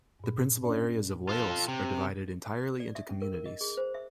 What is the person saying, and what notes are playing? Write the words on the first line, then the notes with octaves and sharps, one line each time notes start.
The principal areas of Wales are divided entirely into communities.
G2 A#2
C#4 D4 D5
F4 A4
C3
D5
E5
C#4
A#4
A#4
D#5
G#4
C5
E5